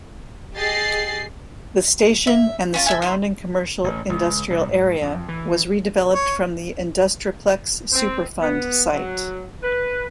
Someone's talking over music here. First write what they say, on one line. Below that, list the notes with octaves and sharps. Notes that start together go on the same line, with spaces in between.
The station and the surrounding commercial-industrial area was redeveloped from the Industri-Plex Superfund site.
G4 G#4 D#5 A6 C7
E5
C#4 F4 A5
A4 E5 G#5
E4 C5
A1
C#2
C2
G#2
F2
E3
C#5
C4
B3
F#3
B4